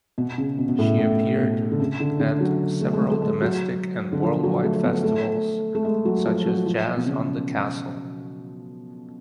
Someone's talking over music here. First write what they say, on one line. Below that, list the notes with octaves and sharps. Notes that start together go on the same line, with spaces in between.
She appeared at several domestic and worldwide festivals such as "Jazz on the Castle".
B2
C#3
B2
B2
A2
A2
B2
D3
C#3
D3
D3
F#3
A3
G#3
A3
A3
G#3
F#3
D3
F3
F#3
A3
B3
A3
A3
G#3
F#3
F3
F#3
F3
B2
C#3